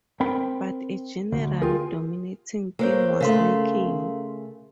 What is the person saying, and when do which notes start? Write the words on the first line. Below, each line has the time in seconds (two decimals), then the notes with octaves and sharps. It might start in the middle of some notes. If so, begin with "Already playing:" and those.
But a general dominating theme was lacking.
0.20 C4 A#4 G5 B5
1.32 D2
1.62 F4 G4 G#4 A#4
2.79 A#3 A#4 C5 C#5
3.21 C#3 A3 A#4 F5 C6